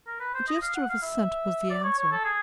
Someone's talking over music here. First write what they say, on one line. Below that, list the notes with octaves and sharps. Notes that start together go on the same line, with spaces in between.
A gesture of assent was the answer.
A#4
B4
C5
D#5
F5
F#5
F5
E5
D5
C#5
C#5
A4
G#4